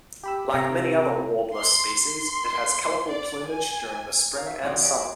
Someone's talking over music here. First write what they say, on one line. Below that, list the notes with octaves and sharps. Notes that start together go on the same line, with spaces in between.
Like many other warbler species, it has colorful plumage during the spring and summer.
G4 B5 E6
C3 E5 G5 A#5
C6
C6
D5
G#5
A#4 F5
E5
E2 C4 D4 F#4 D5 D#6
F#4 G#4 C#5 D5 E5